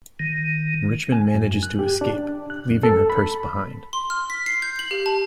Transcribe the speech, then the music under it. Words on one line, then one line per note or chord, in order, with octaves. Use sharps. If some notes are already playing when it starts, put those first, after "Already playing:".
Richman manages to escape, leaving her purse behind.
D#3
G#5
F#2
F#6
G4
D4
F#6
F2
A4
B5
C6
F6
B6
C7
G6
F#7
G4
A5